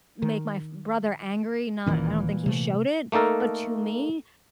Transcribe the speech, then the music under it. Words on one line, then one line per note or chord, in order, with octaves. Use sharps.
make my f brother angry, not I don't think he showed it, but to me,
D#3
D1 A#2 D#3 E3 C#4
C3 A3
A3 A#3 D#4 A4 A#4